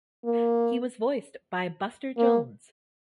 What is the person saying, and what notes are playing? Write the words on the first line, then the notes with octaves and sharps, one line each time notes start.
He was voiced by Buster Jones.
A#3
A#3